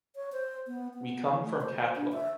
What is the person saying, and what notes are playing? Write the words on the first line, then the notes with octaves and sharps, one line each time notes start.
We come from Catllar.
C#5
C5
B3
B3
A3
C5
D4
E5